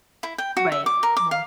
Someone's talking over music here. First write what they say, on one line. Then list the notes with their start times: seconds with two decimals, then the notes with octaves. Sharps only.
Right. More.
0.23 E4
0.38 G5
0.57 F#4
0.72 E5
0.86 D6
1.03 A#4
1.17 D6
1.31 F5